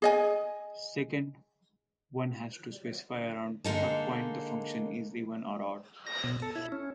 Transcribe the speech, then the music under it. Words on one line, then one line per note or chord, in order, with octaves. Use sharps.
Second, one has to specify around "what point" the function is even or odd.
G#4 D#5 G#5
D3 G#3 A#3 D#4 A4
A#6
B2
A4
E4
C#4